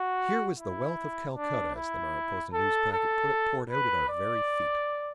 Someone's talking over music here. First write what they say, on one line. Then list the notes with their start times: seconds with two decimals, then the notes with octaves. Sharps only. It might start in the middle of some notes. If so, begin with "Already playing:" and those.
Here was the wealth of Calcutta, as the Mariposa Newspacket put it, poured out at our very feet.
Already playing: F#4
0.58 E4
1.36 D4
1.75 E4
2.53 A4
2.92 A4
3.70 B4
4.09 D5